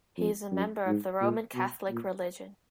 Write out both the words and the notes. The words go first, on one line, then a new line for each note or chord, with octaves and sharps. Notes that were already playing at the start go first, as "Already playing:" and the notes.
He is a member of the Roman Catholic religion.
F2
F#2
G#2
A#2
B2
A#2